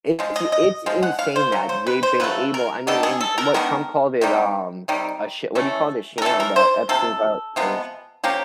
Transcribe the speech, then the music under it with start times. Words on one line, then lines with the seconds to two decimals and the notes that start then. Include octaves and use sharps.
It's it's insane that they've been able I mean and what Trump called it, um, a sha What do you call it? A sham. The Epstein file or sh
0.19 F3 G#3
0.36 D#5
0.52 D#5
0.86 F3 G#3
1.03 F#5
1.19 F5
1.36 C5
1.52 C#3 F#3
1.69 C5
1.87 B4
2.03 C5
2.20 C#3 F#3 A3 B4
2.54 A#4
2.87 D#3 G#3 B3 D4 A4
3.03 G#4
3.21 A4
3.38 A#4
3.54 D#3 G#3 B3 D4 A#4
4.21 C3 D#3 G3
4.88 C3 D#3 G3
5.55 E3 A3 C#4
6.18 A#4
6.22 E3 A3 C#4 A4
6.40 A#4
6.56 C5
6.89 C3 F3 A4
7.56 C3 F3 G#3 B3
8.24 F3 A#3 C#4 G4